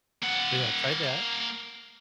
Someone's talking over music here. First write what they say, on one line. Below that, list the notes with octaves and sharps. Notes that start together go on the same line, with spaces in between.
So yeah, try that.
A#3 F#5